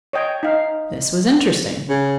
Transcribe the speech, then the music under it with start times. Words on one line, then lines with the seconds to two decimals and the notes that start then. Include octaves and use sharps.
This was interesting.
0.13 C#5 D#5 G5
0.43 D#4 F5
1.89 C#3